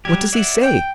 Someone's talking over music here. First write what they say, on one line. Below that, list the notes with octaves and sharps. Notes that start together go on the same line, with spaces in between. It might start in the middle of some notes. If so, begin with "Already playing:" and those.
What does he say?
F#3 G3 G4 G#6
D5 E5 F#5
G5